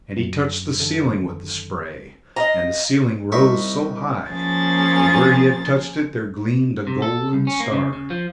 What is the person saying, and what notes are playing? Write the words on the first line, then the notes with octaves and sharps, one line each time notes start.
And he touched the ceiling with the spray, and the ceiling rose so high, and where he had touched it there gleamed a golden star.
F#2
D3 D#3 A4
D#5 F5 A#5
C2 D#4 E5 C#6
F3 A#3 C#4 G#4 A6
C3
A4
C2
C#4
A#3
C#3
C#3
F3